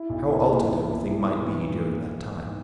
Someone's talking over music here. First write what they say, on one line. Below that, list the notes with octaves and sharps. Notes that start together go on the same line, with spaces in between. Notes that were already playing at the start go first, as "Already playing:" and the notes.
How altered every thing might be during that time!
Already playing: E4
B1
E4
A#2
B1
A#3
E4
B1
E3
G#2
A#3